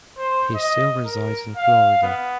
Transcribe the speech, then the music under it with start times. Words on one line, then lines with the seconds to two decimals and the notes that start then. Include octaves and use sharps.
He still resides in Florida.
0.17 C5
0.55 D#5
1.05 A#4
1.57 F5
2.02 B3